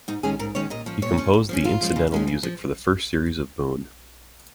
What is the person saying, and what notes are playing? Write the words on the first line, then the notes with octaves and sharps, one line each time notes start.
He composed the incidental music for the first series of "Boon".
G#2 D#4
D#3 G#3 C#4 G#4
G#2 A#4
D#3 G#3 C#4 C#5
A#2 D#5
F3 C#4
A#2 C#5
F3 C#4
F2
F3 G#3 C#4
F2 F4
F3 G#3 C#4
C#3
F3 G#3 C#4
C#3
F3